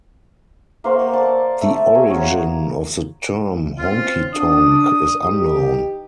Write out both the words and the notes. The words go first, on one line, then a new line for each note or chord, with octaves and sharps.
The origin of the term "honky-tonk" is unknown.
A#3 C5 F#5 C#6
A4 D5 A5
A3
A#3 F#4 G#4 A#4
C#5
C4 C#4 F4
D4 D#6
E3 D#4 G4